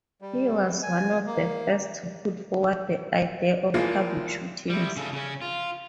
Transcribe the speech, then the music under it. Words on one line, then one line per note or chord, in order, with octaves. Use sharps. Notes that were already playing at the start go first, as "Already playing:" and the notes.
He was one of the first to put forward the idea of public shootings.
G3
G#5
A#3
E3 F3 G#3 A#3 F4
G3 E4
C#3 A4
C#3 C#4
F4